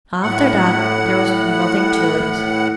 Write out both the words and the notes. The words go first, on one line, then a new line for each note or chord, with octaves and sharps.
After that there was nothing to it.
A2 F#5